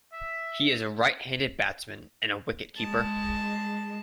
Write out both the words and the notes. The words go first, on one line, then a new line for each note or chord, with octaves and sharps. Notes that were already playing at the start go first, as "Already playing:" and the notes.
He is a right-handed batsman and a wicket-keeper.
E5
G#3 A5